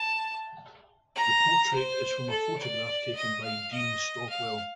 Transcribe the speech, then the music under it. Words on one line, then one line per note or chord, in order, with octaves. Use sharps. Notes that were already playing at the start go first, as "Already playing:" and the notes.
The portrait is from a photograph taken by Dean Stockwell.
Already playing: A5
A#5
C5
A4
D5
D#5
F5
D#5
F5